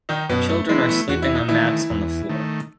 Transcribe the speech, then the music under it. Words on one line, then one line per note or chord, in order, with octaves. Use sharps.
Children are sleeping on mats on the floor.
D#3 D#4
F#2 B2 B3
A3
E3 G#3 B3 E4
A3
E2 F#4
E4
D#4
D#3 E3 A3 E4
E2
D#3 A3